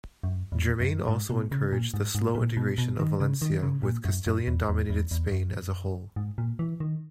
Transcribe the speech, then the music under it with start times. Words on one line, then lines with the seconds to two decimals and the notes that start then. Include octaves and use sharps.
Germaine also encouraged the slow integration of Valencia with Castilian-dominated Spain as a whole.
0.23 F#2
0.52 E2
0.80 F#2
1.09 G#2
1.30 B2
1.51 C#3
1.73 A#2
1.94 G#2
2.15 G#2
2.35 A#2
2.57 B2
2.78 B2
2.99 D#3
3.20 C#3
3.42 D#3
3.63 C#3
3.83 A#2
4.05 F#2
4.26 F#2
4.47 E2
4.69 E2
4.90 E2
5.11 E2
5.32 F#2
6.16 G#2
6.38 A#2
6.59 E3
6.80 D#3